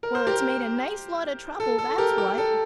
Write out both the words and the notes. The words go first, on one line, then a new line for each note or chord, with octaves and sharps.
Well, it's made a nice lot of trouble, that's what.
A#4
C5
G4 A#4
A4
A4
G4 A#4
G4
A4